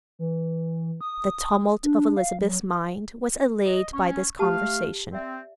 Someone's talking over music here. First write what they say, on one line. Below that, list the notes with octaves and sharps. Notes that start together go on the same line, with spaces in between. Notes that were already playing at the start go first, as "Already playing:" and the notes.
The tumult of Elizabeth's mind was allayed by this conversation.
E3
D#6
D4
F5
F#3
D#5
C#4 C#6
A3 G4 F5 A5
C4 D5 E5